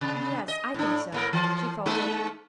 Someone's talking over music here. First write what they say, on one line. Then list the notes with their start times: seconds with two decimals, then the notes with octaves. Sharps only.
"Yes--I think so," she faltered.
0.01 C3
0.48 D#5
0.74 A2 D4
1.12 A2 A#3 A#4
1.33 E3
1.86 G#3 A3 D#4